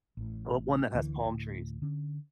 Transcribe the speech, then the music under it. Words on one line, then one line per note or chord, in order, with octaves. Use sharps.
well, one that has palm trees,
A1 A2
D2 D3 E3 A#3
D2 A2
D3 C#4